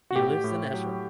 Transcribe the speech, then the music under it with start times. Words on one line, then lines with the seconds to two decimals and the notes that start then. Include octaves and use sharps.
He lives in Esher.
0.11 F#4
0.16 A2 G4
0.44 A2
0.74 F#3